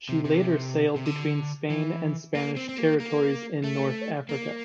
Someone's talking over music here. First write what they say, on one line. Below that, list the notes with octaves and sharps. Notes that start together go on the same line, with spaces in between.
She later sailed between Spain and Spanish territories in North Africa.
C3
C3
C3
D3
E3
A#3
C4
C4
A#3
A#3
A3
A#3